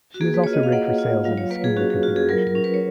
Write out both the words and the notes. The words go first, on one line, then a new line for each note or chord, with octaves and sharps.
She was also rigged for sails in a Schooner configuration.
F#4
A#3 G#4
B4
F4 C#5
D#5
F5
A#3 F#5
F4
F#3 F5
C#5
A#3 B4
G#4
C#4 F#4
G#4
F4 F#4
G#4
F#3 A#4
A#4
C#4
B4
C#5